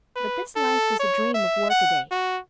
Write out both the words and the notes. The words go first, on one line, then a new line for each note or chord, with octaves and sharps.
But this life was a dream of workaday.
B4
A4
C#5
E5
F#5
F#4